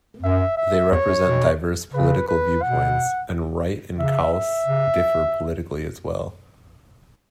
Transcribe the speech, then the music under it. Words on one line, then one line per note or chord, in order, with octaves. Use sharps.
They represent diverse political viewpoints, and Wright and Kaus differ politically as well.
F#2 E5
E5
E2 C#5
F#2
B2
C#3 B4
B4
B2 F#5
C#3 E5
E5
C#3